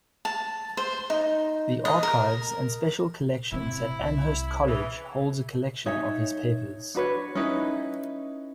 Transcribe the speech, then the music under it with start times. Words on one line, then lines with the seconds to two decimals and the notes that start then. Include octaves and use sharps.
The Archives and Special Collections at Amherst College holds a collection of his papers.
0.25 A5
0.77 C5
1.10 D#4
1.85 D#5
2.03 A#4
3.52 A2 C3 E4
3.99 C2
4.67 C#3 E3
5.86 D#4 C#5 E5 G#5
6.95 D4 F#4 B4 C#5
7.35 C#4 D#4 E4 B4